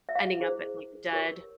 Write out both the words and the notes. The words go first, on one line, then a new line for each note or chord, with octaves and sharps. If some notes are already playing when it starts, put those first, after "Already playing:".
ending up at, like, a dud.
E5
F5
E4 G#4 C5
G4 A#4 C#5